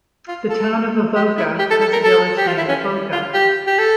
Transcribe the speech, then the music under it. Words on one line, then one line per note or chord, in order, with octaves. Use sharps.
The Town of Avoca has a village named Avoca.
F4
A4
G4
E4
G4
A4
A4
A#4
A4
G4
F4
E4
C#4
F4
G4
G4
A4